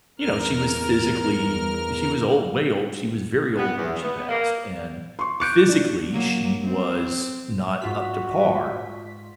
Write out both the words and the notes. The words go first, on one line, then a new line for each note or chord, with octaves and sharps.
you know, she was physically She was old, way old, she was very old when she passed, and physically she was not up to par,
E2 A#4 F6
B3
E2
B3
A#3
C6 C#6
C#6 D6 F#6 G6 C#7 D7
D4
F#3 A#3
C4
G#2 F4 F#4 B6